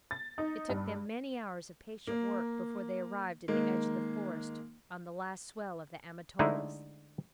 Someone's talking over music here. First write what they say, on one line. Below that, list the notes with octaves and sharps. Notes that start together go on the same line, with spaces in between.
It took them many hours of patient work before they arrived at the edge of the forest on the last swell of the Amatolas.
A6
D#4
G2
A#3
D#3 G#3 A#3
D3 G#3 A3 D#4 E4 G#4